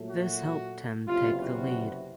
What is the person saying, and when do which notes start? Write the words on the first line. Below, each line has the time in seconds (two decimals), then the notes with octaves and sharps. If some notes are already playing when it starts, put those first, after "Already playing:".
This helped him take the lead.
Already playing: A#2 F#3 A3
0.08 F#4
1.07 F#1 E2 C3 F4
1.40 F#4